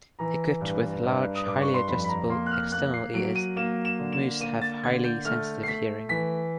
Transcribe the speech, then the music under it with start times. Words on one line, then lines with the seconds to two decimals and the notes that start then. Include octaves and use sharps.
Equipped with large, highly adjustable external ears, moose have highly sensitive hearing.
0.19 E3 A#5
0.61 G2
1.03 G2
1.35 D#6
1.45 G2 D6
1.62 C#6
1.74 C6
1.88 F2 B5
2.04 B5
2.08 A#5
2.29 A#3 C6
2.46 F#6
2.51 F6
2.72 A#3 F#6
2.94 C7
3.14 F#3 D7
3.35 D#7
3.56 A#3 E7
3.85 E7
3.99 D3
4.12 E7
4.41 A#3 D#7
4.61 A6
4.83 D3 G#6
5.04 G6
5.25 A3 F6
5.63 C7
5.67 A3 B6
6.09 E3 B6